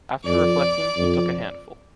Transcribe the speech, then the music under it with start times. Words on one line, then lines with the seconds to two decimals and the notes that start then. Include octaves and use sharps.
After reflecting, he took a handful.
0.24 F2 D5
0.97 F2